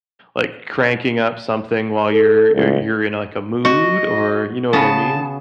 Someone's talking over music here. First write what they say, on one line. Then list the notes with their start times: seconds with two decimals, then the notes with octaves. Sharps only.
like, cranking up something while you're you're you're in, like, a mood, or you know what I mean?
2.14 A4
2.55 C#2
3.65 F#4 D#5
4.73 C#3 B3 A5